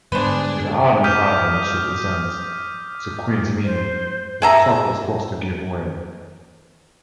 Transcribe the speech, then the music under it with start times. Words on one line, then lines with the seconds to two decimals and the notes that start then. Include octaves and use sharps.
It hardly, however, misrepresents the Queen's meaning, and Cox was forced to give way.
0.12 G#2 D3 G3 B3 D4 G#4 B4 C5
1.04 D6 D#6 F6 G6 B6 D#7
3.64 C5
4.42 G#4 E5 A#5